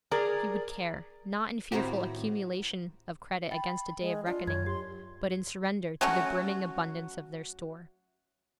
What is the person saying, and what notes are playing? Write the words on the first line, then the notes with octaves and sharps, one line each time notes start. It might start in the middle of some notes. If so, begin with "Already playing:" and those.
He would care, not in fearful accumulation of credit against a day of reckoning, but in surrender to the brimming abundance of their store.
G#4 A#4 D5 A#5
A2 D#3 C4 F#4 G4
G5 B5 A6
G#3
D4 F4
F#2 C#5 G#6
G4 C6
F#3 A3 C#4 F#4